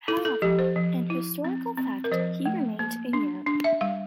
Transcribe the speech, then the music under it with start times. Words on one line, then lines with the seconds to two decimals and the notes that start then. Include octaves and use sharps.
However, in historical fact he remained in Europe.
0.08 E4 A4
0.25 A4
0.42 F3 G4
0.59 C5
0.76 F3
1.10 E4
1.44 C4
1.78 C4
2.04 A#4
2.12 F3 C5
2.45 A3
2.79 A#3
3.13 D4
3.47 D4
3.64 E5
3.81 G3 F5